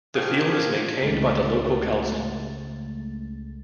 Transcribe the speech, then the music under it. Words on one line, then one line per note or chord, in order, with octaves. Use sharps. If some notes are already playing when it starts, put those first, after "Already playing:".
The field is maintained by the local council.
D#3 F3 G3 A#3 F4 G#4
C#2 C#3 G#3 A3 A6